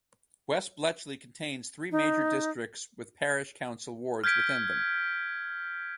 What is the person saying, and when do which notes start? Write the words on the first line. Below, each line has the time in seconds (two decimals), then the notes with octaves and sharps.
West Bletchley contains three major districts with parish council wards within them.
1.91 D#4
4.24 F6 G6 G#6 B6 D7